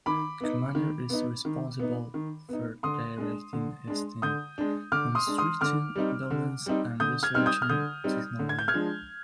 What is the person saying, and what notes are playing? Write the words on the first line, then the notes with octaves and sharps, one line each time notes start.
A commander is responsible for directing his team, constructing buildings and researching technology.
D#3 B5 D6
B3 D#4
D#3
B3 D#4
D#3
B3 D#4
D#3
B3 D#4
D3 C6 D#6
G#3 D4
D3
G#3 D4
D3 D#6 G6
G#3 D4
D3 D6 F6
C6 D#6
G#3 D4
C6 D#6
D3 D6 F6
G3 C4 D#4
D3
G3 C4 D#4
D3 D#6 G6
F6 G#6
G3 C4 D#4 F6
D#6 G6
F6
D3 D#6 G6
G3 C4 D#4
D3
G#6
G6
F6 G#6
F3 G#3 D4